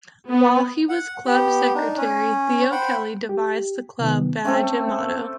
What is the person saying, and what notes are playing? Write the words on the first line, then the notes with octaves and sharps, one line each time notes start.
While he was club secretary Theo Kelly devised the club badge and motto.
B3
F#5
B3 G4
D4 D#4
C#4
C5 F#5 G5 B5
G4
C3 D#3 B3
A3 C4 C#4 A4